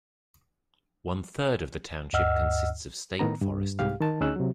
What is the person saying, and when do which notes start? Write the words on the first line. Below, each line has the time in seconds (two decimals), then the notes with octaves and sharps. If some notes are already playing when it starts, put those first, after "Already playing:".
One-third of the township consists of State Forest.
2.13 D2 G2 D#5 F#5 E6 F6
3.19 A2 D#3 B3 A#5
3.41 G2
3.79 C2 G#2 G4 F5
4.00 D#3 A5
4.21 D2 C#4 D#4 G#4 E6 F#6
4.36 C3 F#3